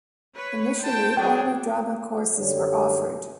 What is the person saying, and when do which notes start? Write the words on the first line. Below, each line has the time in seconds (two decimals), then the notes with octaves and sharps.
Initially only drama courses were offered.
0.36 B4 C#5
0.82 C5 G5 A5
1.17 F#3 D4 G#4 G5
2.37 F#2 D3 G3 C#5